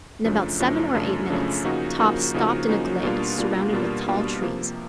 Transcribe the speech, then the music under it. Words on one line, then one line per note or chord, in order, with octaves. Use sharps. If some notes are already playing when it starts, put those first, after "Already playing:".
In about seven or eight minutes Top stopped in a glade surrounded with tall trees.
F#2 C#3 F3 A3 D4
F#2 C#3 F3 A3 D4
F#2 C#3 F3 A3 D4
F#2 C#3 F3 A3 D4
C#3 F3 A#3 D#4 F#4
C#3 F3 A#3 D#4 F#4
C#3 F3 A#3 D#4 F#4
C#3 F3 A#3 D#4 F#4
B2 G3 A#3 D4 F4
B2 G3 A#3 D4 F4
B2 G3 A#3 D4 F4
B2 G3 A#3 D4 F4
C3 F3 A#3